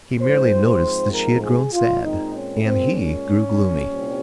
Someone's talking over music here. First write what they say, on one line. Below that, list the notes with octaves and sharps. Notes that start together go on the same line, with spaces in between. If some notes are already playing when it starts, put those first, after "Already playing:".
He merely noticed that she had grown sad, and he grew gloomy.
G#2 F3 C4 C5
C5
A#4
G#4
F4
A#2 G#3 C4 D#4
C#4
C4
C#4
C2 A#2 G3 C4